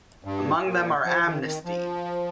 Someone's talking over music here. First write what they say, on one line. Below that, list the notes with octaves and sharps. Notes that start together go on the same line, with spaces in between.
Among them are Amnesty!
G2
A#2
F3
D#3
D#3
F3